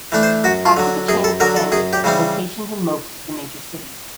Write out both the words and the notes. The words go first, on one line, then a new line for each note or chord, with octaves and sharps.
After the chain expanded they had locations in most of the major cities.
E3 A3 D4
C5
F#2 F#4
F4
D3 F#3
F#2 G#4
A4
D3 F#3 A#4
A4
F#2 G#4
G4
C#3 E3 G3 C4